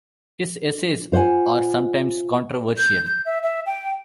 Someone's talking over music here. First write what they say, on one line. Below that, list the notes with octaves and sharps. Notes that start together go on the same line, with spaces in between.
His essays are sometimes controversial.
F4 C5 C#5 F#5 G#5
G6
G6
E5
E5
G5